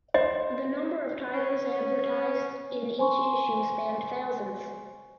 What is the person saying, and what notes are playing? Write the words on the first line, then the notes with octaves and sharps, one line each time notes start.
The number of titles advertised in each issue spanned thousands.
C5 D#5
C#4
C5 G#5 C6 C#6